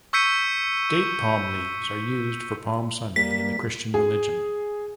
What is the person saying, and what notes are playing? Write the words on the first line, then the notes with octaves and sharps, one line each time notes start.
Date palm leaves are used for Palm Sunday in the Christian religion.
C#6 E6 G6 B6 C#7 D#7
G3 A#3 B6
G#4